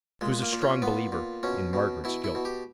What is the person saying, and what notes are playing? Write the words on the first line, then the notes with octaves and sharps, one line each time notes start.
She was a strong believer in Margaret's guilt.
A#2 G#3
A#3
A#2
C#4
A#2 B3
A#2
B2 C#4
B2
B2 E4
E4
B2
G4